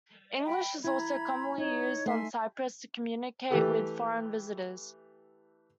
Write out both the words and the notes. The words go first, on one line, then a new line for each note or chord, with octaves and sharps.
English is also commonly used on Cyprus to communicate with foreign visitors.
G5 B5
E4 A#5 B5 G#6
D#4 C#5
A3 E5 G#5 C6
E3 A3 G4 A4